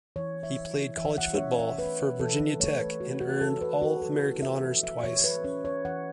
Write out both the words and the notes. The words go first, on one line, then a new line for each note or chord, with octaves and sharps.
He played college football for Virginia Tech, and earned All-American honors twice.
E3 C#5
E5
E4
E3 E5
F#5
C#5
C#4 E5
E5
A3 B4
E3 A4
A3 C#5
B4
A3 F#4
F#4
E3 A4
B4
C#4 F#4
A4
E4
E5
E3
E5
E3 C#5
B4
C#4 C#5
C#5
E3 F#5